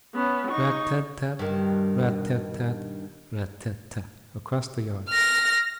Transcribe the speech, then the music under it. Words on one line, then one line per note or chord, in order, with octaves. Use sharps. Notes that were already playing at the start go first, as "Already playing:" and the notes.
'RAT--tat-tat, RAT--tat-tat, RAT--tat-tat,' across the yard.
B3 C#4
D#4 C#6
G2 D#3
F6 A#6